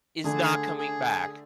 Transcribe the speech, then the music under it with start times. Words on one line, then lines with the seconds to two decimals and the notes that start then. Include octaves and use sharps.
is not coming back.
0.24 D3 A3 D4 G#4 A4
0.78 G#4